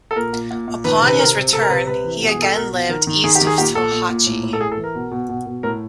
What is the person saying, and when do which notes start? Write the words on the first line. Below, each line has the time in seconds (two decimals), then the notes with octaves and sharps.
Upon his return, he again lived east of Tohatchi.
0.11 A4
0.16 A#2 A#4
0.33 A#2
0.51 A#2
0.68 A#2
0.84 D#3 B4
1.01 C3
1.07 B4
1.18 C3 A#4
1.36 C3
1.53 C3 A4
1.62 A#4
1.70 C3 B4
1.87 C3 B4
2.04 E3
2.21 B2
2.28 G#4
2.38 B2 A4
2.55 B2 A#4
2.72 B2
2.89 D#3 A#4
3.07 D#3
3.24 D#3 G#4
3.35 G4
3.41 D#3
3.47 G#4
3.58 A#2 G4
3.75 A#2 A4
3.92 A#2
4.09 A#2
4.27 A2
4.43 A2
4.53 A4
4.61 A2 G#4
4.72 A4
4.77 E3
4.84 A#4
4.95 B2
5.11 B2
5.29 B2
5.46 B2
5.63 A2 A#4